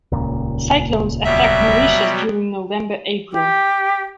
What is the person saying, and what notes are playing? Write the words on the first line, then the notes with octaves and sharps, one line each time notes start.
Cyclones affect Mauritius during November-April.
D#1 C#2 A#2
B2 F#3 G3 E5
G4